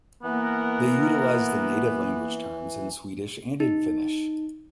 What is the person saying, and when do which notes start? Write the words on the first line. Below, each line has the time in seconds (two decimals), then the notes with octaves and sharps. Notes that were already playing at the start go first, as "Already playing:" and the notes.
They utilize the native language terms in Swedish and in Finnish.
0.23 E3 A#3 B3 A#4 F#5
3.60 D#4